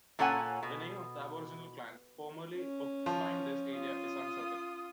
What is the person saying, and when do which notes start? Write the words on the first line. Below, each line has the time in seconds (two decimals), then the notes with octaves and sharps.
The name of the Aboriginal clan formerly occupying this area is uncertain.
0.19 A#2 C#4 A4 C#5 F#5 G#5
0.63 B2
2.56 C#4
3.06 F3
3.74 F4 D#6